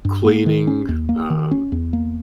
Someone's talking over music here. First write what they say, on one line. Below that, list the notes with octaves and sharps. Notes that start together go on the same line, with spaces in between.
cleaning, um
G2
A#3
D#3
C#4
D#2
A#3
D#3
C#4
E2
A#3